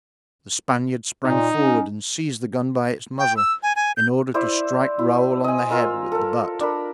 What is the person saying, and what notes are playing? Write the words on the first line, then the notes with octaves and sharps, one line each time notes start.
The Spaniard sprang forward and seized the gun by its muzzle, in order to strike Raoul on the head with the butt.
A#2 D#4
C#4
G5
E6
G#5
G#5
G6
E4 C5 D5 E5
E4
D#5 G#5
F4 A#4 E6
A4 A#4
D4 A#4 B5